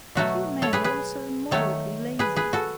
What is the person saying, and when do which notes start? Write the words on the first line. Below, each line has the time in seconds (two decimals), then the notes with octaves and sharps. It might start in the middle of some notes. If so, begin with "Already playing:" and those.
But you men are all so immoderately lazy!
0.15 B2 F#3 A3 F#4 A4
0.62 A4 C#5
0.73 G#4 B4
0.84 G#4 B4
1.51 D#3 F#3 A3 A4 C#5
2.19 G#4 B4
2.36 G#4 B4
2.53 F#4 A4